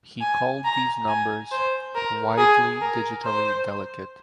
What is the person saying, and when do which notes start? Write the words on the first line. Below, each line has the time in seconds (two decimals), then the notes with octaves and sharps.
He called these numbers "widely digitally delicate".
0.21 G#5
0.65 A#5
1.08 G#5
1.51 C5
1.95 A#4
2.38 G#4
2.81 A#4
3.25 C5